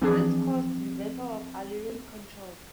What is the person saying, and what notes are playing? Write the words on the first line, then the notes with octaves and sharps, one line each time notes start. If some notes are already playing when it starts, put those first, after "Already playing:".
This caused reversal of aileron controls.
E3 F3 C4 D4 G#4